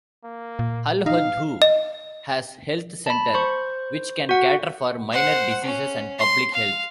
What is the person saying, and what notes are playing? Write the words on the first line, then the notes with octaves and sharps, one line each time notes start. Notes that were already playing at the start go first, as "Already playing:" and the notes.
Holhudhoo has health center, which can cater for minor diseases and public health.
A#3
A#2
D#4 F5
D#5
A5 B5
C5 C#6
F#4 F#5
C5 F#5
C#4
C6
F5